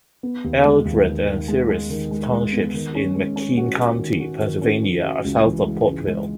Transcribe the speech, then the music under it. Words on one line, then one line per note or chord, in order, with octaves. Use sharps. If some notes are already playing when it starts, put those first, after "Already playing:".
Eldred and Ceres townships in McKean County, Pennsylvania, are south of Portville.
B3
D#2
G#3
D#2
D#3
D#3
G#3
G#3
D#3
G#3
G#3
B3
D#3
C#4
G#3
C#4
F#4
F#4
D#3
F#4
D#3
C#4
C#4
F#4
C#2
E3
G#3
C#2
G#3